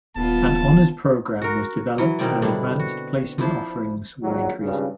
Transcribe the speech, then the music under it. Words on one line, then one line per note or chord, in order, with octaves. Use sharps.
An honors program was developed and Advanced Placement offerings were increased.
D#1 B3 F4 A5
F#4 A#4
E3 F#3
B2 D#3 C4 D5
G2 D3 D4 E4
F#4
F3 D4 E4 C5
A#1 D#3 F#3
G#1 G2 C#3